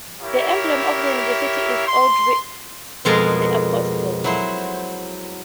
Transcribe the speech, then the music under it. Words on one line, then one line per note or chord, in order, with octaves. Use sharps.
The emblem of the university is Andrew the Apostle.
E4 G4 A#4 C#5 E5 F5
C6
F2 B2 G#3 A4 A#4 C6
F#3 E4 C5